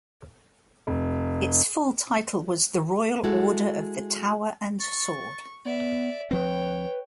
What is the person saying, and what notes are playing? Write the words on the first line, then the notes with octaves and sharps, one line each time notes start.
Its full title was "the Royal Order of the Tower and Sword".
F1
G#3 E4 F#4 A4
C#6 A6
B3 D5 E5
D2 F3 C4 B4 C#5 G5